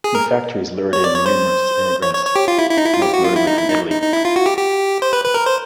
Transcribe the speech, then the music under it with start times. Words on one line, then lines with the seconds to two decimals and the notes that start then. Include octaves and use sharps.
The factories lured in numerous immigrants, most notably from Italy.
0.04 G#4
0.15 A#4
0.93 C#5
1.04 D5
1.14 C#5
1.26 C5
2.02 C#5
2.14 C#5
2.25 C#5
2.36 G4
2.48 F4
2.59 E4
2.70 E4
2.77 D#4
2.85 E4
2.94 F4
3.02 G4
3.14 F#4
3.24 F4
3.36 E4
3.47 D#4
3.58 E4
3.70 D#4
3.91 D#4
4.02 D#4
4.13 E4
4.25 F4
4.36 F#4
4.46 G4
4.58 G4
5.02 C5
5.13 B4
5.25 B4
5.34 A#4
5.46 C5